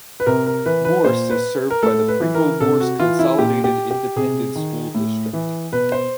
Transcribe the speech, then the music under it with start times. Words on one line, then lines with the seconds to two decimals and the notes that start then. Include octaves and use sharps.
Morse is served by the Pringle-Morse Consolidated Independent School District.
0.20 B4
0.26 C3 A#4
0.46 A#4
0.66 E3 B4
0.85 B4
1.05 A#2 C5
1.30 B4
1.70 A#4
1.82 A2 A4
2.08 B4
2.21 E3
2.35 A#4
2.60 C3 A4
2.80 F#4
3.00 E3 F4
3.19 E4
3.38 A#2 G4
3.64 G4
3.91 G4
4.16 C3 G#4
4.55 D#3
4.95 A2
5.33 E3
5.72 B2 B4
5.92 C5